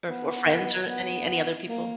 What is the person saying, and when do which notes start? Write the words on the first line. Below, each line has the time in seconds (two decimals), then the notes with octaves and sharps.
or or friends, or any any other people?
0.09 B3
0.89 B3
1.68 A#3